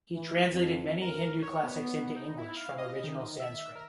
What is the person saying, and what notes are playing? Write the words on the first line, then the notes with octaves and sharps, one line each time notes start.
He translated many Hindu classics into English from original Sanskrit.
E3
F2
A#4
C#5
B3
D#4
E4
F5
D#5
D#3
E5
A#4